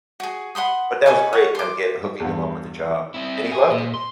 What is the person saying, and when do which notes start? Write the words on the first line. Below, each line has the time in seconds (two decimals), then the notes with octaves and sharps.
but that was great kinda get hooking him up with the job, and he loved it.
0.20 F#4 G#4
0.55 F#5 B5 C6 D#6
1.06 D#4 B4 G#5 C#6
1.33 C#5 F#5
1.55 C6 D6
2.20 E2 G2
3.14 C4 E4
3.51 G#4
3.70 A#2
3.94 C6